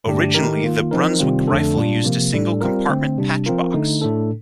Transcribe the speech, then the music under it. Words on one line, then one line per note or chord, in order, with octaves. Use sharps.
Originally, the Brunswick rifle used a single compartment patch box.
G2 D3 A3 D4 G4
D#3 A3 D#4 G4 A#4
D#3 A#3 F4
F3 C4 D#4 A#4
C3 D#3 G3 C4 F4
F2 D3 A3 D4 A4
A#2 G3 D4 F4
C3 F3 A#3
A2 G3 D4 A4
G3 C4 F4 A#4
D3 A3 C4
C3 G3 D4
F3 C4 F4 A#4
D3 A3 D#4
A2 A3 D4 A4